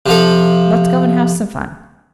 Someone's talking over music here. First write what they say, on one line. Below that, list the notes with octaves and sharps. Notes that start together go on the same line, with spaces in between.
Let's go and have some fun.
C3 F3 A4